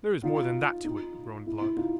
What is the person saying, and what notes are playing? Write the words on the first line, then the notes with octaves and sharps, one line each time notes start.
"There is more than that to it," groaned Blood.
D#4 F4
D#4 F4
E4
E4
D#4 F4